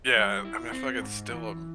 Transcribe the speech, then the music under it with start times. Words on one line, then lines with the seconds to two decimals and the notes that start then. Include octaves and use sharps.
Yeah, I I mean, I feel like it's still, um,
0.16 G3
0.45 E4
0.72 C4
1.01 G#2
1.30 E3